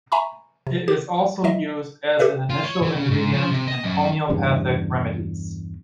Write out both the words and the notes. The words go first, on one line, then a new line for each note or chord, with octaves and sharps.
It is also used as an initial ingredient in homeopathic remedies.
E5 G#5 A#5 B5 C#6
C3
G4
F#3 D#5 E5
G4 A4 B4 E5
F4
C#5
E3
C#3
G#2
F3
C3
D#5
F#2
E2 G2 C#3